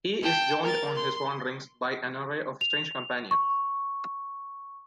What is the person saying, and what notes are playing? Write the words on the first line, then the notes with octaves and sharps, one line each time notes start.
He is joined on his wanderings by an array of strange companions.
G5 A5
A#4 A6
C6
F7
C#6